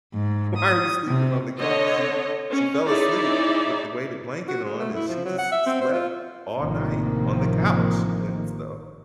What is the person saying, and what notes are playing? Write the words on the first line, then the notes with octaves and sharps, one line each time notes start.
why are you sleeping on the couch?" She she fell asleep with the weighted blanket on and she just slept all night on the couch and so
G#2
D#6
C3
D3 C#5 D#5
C#4
D#4 E4 G#4 C#5 D5 E5
F#4
G#3
A3
E4
F3
F#3
F#5
E5
C4
C5
F4
A1 C3 D#3 F3 A#3